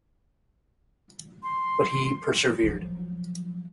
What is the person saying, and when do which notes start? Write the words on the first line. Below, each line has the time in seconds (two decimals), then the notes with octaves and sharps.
But he persevered.
1.43 C6
2.63 F3 F#3